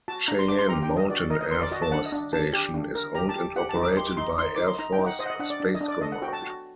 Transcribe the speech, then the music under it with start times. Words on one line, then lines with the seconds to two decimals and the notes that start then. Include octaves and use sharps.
Cheyenne Mountain Air Force Station is owned and operated by Air Force Space Command.
0.08 F#4 A5
0.28 D4 A#5
0.39 C6
0.48 D4 D6
0.59 C6
0.69 G4 A#5
0.83 G5
0.89 D4
0.97 D#5
1.10 F#4 D5
1.30 A#4 D#5
1.41 D#5
1.51 A#4 C6
1.61 D5
1.71 F#4 D#5
1.82 A5
1.92 D4 F#5
2.06 D#5
2.12 D4
2.33 D4 A5
2.53 G4
2.74 D4
2.95 A#4
3.15 G4 A#5
3.29 A5
3.36 G4
3.56 G4 F#5
3.69 A5
3.76 D#4
3.83 D6
3.97 G4 C6
4.07 D6
4.17 D#4 C6
4.38 D#4 C6
4.56 D#4 D6
4.67 C6
4.79 D#4 A#5
4.93 G5
4.99 D#4
5.06 F#5
5.19 C5 D#5
5.26 F#5
5.30 D#5
5.39 D4 F#5
5.50 D5
5.60 D4
5.75 D#5
5.81 D4
5.88 D5
6.01 A4 D#5
6.12 F#5
6.22 F#4 G5
6.33 A5
6.43 F#4